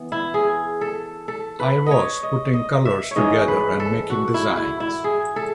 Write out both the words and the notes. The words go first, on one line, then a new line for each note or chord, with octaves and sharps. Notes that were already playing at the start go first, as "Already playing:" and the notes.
I was putting colors together and making designs.
Already playing: E3 B3
E4
G#4
A4
A4
B4
C#5 D#5
D#5
D#5
E5
C#5
G#2 E3 G#3 C#4 D#5
B4
A4
F#4
E4
E4
E4
G#4
A4